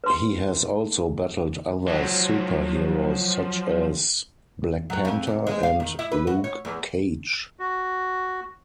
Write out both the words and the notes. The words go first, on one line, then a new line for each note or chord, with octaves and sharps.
He has also battled other super-heroes such as Black Panther and Luke Cage.
B4 C6
F3 F#3
F#3
F2
G#2
G#3
F5
D#3
E4
B4
F#4
C#5
E2
F#4